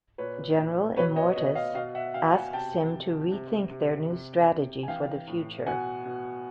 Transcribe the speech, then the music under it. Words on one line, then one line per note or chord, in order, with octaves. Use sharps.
General Immortus asks him to rethink their new strategy for the future.
A#2 B4 C#5
A#2
B2 B4 C#5
C#5 D#5
B2 C#5 D#5
D#5 F5
B2 D#5 F5
E5 F#5
B2 F5 G5
F#5 G#5
C3 G5 A5
C3
C3
C3
C3
C3
G#5
E3 F5 G5
A2
B2 F#5 G#5
B2